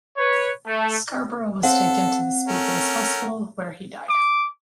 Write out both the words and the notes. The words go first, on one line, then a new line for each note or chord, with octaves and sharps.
Scarborough was taken to the speedway's hospital, where he died.
B4 C#5
A3
C4 A4 F5 F#5
A3 C#4 A#4
D6